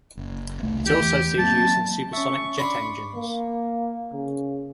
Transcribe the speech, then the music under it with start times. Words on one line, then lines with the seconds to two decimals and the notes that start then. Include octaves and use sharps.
It also sees use in supersonic jet engines.
0.17 F#1
0.63 C2 A3
0.86 E2 E3 G4
1.38 F#3 A#3 C4 A5
2.13 C#4 E5 C#6
2.58 D4 B5 C6 D6
3.15 A#3
4.13 C#3